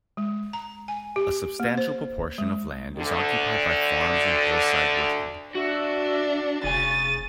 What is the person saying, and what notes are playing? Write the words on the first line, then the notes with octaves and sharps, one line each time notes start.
A substantial proportion of land is occupied by farms and hillside woodland.
G#3
A#5
G#5
G4
A#3
C5
G#3
D2 D3
D4 F#4 E5
F1 C#3 G#5 A6 D#7